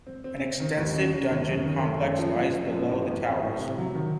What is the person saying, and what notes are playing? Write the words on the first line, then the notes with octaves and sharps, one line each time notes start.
An extensive dungeon complex lies below the towers.
C4
C4
C4
D#3
D#2
C#3
C#3
D#2
F#2
D#3
A3
F#2
F3
F#2
F3
F#2
A2
A1
C4
A2
C3
F#3
D#3